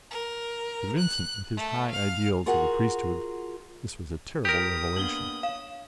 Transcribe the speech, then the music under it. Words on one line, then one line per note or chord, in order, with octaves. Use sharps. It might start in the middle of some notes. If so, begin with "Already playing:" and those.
To Vincent, with his high ideals of the priesthood, this was a terrible revelation.
A#4
F#6
A3
F5 F6
F4 F#4 G#4 A#4 F#5
G4 A#4 D#6
A#3 B3 D4 F#7 G7
C#5 F5